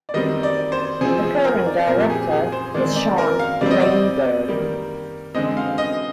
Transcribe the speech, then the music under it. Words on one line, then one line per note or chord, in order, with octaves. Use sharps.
The current director is Sean Rainbird.
D5
D#3 G3 C4 D#5
D5
C5
C3 F3 C4 G#4
G#4
A#4
D5
A#2 F3 C4 A#4
G4
G#4
G#4
C5
D#3 G#3 C4 D5
D5
A#4
F5
C3 G3 C4 D5
D#5
D5
D#3 G3 A#3
D3 G#3 C4 D#5
F5
D#5